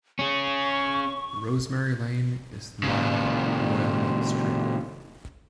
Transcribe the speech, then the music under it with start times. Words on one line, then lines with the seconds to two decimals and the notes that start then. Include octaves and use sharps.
"Rosemary Lane" is the modern "Royal Mint Street".
0.19 C#4 G#4 C#6
2.83 A#2 C#3